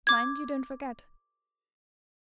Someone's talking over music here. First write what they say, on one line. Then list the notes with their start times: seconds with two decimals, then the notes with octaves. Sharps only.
'Mind you don't forget.
0.07 D6 G#6